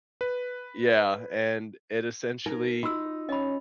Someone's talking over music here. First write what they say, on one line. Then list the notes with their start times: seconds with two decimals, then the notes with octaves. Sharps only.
Yeah, and it essentially, u
0.21 B4
2.46 D#4 A#4
2.83 D#4 F4 F#4 E6
3.29 C#4 D#5 B5